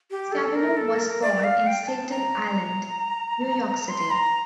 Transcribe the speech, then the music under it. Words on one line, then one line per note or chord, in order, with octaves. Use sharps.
Scavullo was born in Staten Island, New York City.
G4
A4
A#4
A4
A#4
D5
F5
G5
A5
A#5
C6
A#5